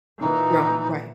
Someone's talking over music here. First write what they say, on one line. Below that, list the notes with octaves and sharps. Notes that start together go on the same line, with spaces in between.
Growing, right.
A#2 E3 D#4